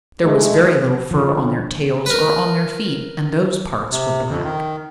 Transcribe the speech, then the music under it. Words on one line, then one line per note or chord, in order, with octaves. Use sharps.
There was very little fur on their tails or on their feet, and those parts were black.
G#3 A3
D3 F3
A#4 B4
C3
F2
D#3